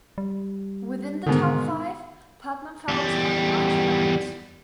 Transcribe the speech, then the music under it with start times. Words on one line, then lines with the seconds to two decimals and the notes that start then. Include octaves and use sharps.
Within the top five, Putnam Fellows are not ranked.
0.18 G3
1.26 G#2 B2 D3 D#3
2.88 E2 G3